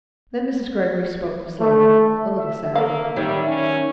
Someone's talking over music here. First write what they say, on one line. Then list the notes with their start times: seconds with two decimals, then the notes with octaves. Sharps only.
Then Mrs. Greggory spoke slowly, a little sadly.
1.60 A3
2.39 E5
2.75 A#3 A4 F5
3.16 D#3 F#3 G3
3.48 C#4